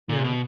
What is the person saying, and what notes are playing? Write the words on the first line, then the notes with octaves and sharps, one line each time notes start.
You know?
A#2
B2